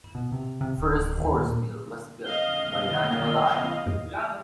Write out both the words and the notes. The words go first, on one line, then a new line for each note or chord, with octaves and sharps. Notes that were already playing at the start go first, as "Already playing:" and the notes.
First horse mill was built by Daniel Lile.
B2
C3
C3
D1
D#2
A#2
D#5 F5 G7